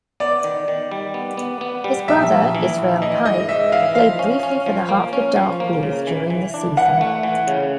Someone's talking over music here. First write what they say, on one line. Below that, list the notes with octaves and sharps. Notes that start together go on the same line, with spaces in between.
His brother, Israel Pike, played briefly for the Hartford Dark Blues during the season.
B3 D5
D#3
D#3
G3
B3
B3
B3
G3
A#1 E5
A#1
E3
A#1
E3 D#5
G#2 D#5
G#2 E5
E3 F5
F3 F5
C#4
C#4
F3
A#3
C#4
F3
A#3
C#3
E3
E3
D4
E3 F#5
A3
E3
C#3